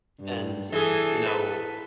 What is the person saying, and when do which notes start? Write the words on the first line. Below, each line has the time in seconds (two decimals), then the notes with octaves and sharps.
and, you know,
0.20 G2
0.72 E3 G#4 A4
1.26 B4